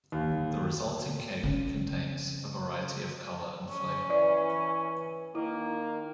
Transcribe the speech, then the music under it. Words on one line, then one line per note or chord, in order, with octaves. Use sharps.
The resulting cake contains a variety of colour and flavour.
D#2
C#3 C#4
C#4
E3 D5
D#3 A#3 E4